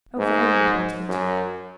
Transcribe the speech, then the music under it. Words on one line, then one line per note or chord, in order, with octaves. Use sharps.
"Oh! very important."
G#2
F#2